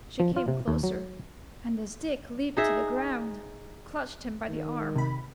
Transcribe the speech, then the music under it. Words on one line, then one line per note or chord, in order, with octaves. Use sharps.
She came closer, and, as Dick leaped to the ground, clutched him by the arm.
F3
F4
C3
D#2
F#3
D#4 G#4 E5
D#3
C3 B5